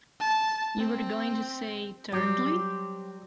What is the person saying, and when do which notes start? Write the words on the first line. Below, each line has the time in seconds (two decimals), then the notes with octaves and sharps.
You were going to say, thirdly?
0.20 A5
0.78 C4
2.12 F#3 G3 C4 G4